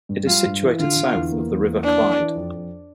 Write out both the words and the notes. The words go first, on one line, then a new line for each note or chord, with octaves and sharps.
It is situated south of the River Clyde.
G2
G3 F4
G2
E3
D3 F4
D3
E2
A#3
E2
A#3
E3 D4
E3
E3
F2
F2